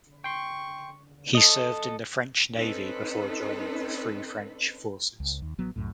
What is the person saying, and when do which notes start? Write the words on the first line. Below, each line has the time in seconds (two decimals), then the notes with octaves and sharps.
He served in the French Navy before joining the Free French Forces.
0.24 G5 C6 C#6
1.35 A4 D#5
2.54 C4 C#4 D#4 A4 B4
5.20 C#2
5.42 D#2
5.58 A1 F#3 B3
5.76 C2 F#2 A2